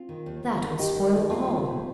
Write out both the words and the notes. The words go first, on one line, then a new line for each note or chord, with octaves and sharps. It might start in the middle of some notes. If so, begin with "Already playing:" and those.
'That would spoil all.
Already playing: C4 F4
D#3
D#2
D#2
D#3
D#3 D#4 G4
D#3
D#3
D#2 C4 F4
D#3
D#2